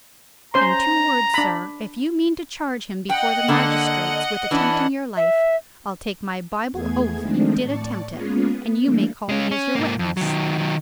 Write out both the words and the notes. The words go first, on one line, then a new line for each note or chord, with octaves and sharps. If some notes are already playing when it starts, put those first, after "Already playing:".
In two words, sir, if you mean to charge him before the magistrates with attempting your life, I'll take my Bible oath he did attempt it, and you may call me as your witness.
C#4 C5 A#5 C6
D4 B5
D#5 F#5 G5
D3 A#3
E3 C#4 D4
E5
E2 A3 B3 G#4 G#6
D#3 F3 G#3 A3 C4 D4
A2 D5 A5 C#6
G#3 A#3 B3 C#4 F4 G#4
B3
E3 G3 A3 A#3 D4
G#3 C#4
C#4
G#2 A#3
F2
D#3 F#3
D#3 F#3